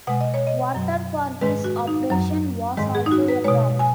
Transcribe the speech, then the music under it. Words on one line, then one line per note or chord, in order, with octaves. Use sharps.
Water for his operation was also a problem.
B2 G#3 F#5
D#5
C#5
D#5
F#2 F#3
G#2 D#3 G#3 B4
F#4
D#4
F#2 F#3
G#2 D#3 G#3
G#4
D#4
F#4
B4
B2 G#3 C#5
G#5